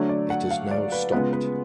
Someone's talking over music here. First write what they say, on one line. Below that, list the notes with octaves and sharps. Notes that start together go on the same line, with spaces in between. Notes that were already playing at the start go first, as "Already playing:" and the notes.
It has now stopped.
Already playing: D3 F#3 A3 D4 C#5
D5
F#5
F5
D5
B4
C#3 G#3 B3 F4 B4
B4